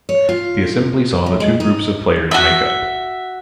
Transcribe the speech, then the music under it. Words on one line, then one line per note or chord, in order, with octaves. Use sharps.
The assembly saw the two groups of players make up.
C#5
F4
F#2
G#3
D#4
F#4 E5